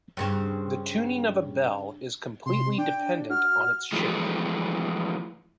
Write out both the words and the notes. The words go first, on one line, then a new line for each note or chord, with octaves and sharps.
The tuning of a bell is completely dependent on its shape.
G2 C#3 C4
C3 C6
D4 G5
F#4 F6
E3 F3 G#3 A3